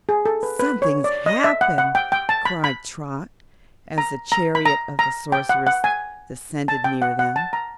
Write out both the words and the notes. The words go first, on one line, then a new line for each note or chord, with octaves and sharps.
"Something's happened!" cried Trot, as the chariot of the Sorceress descended near them.
G#4
A4
B4
B4
C#5
D5
D#5
E5
F#5
F#5
G5
G5
A5
B5
B5
A#5
A#5
B5
A#5
A#5
G5
F#5
F#5
G#5
A5
G5
F#5
F#5
A5
A#5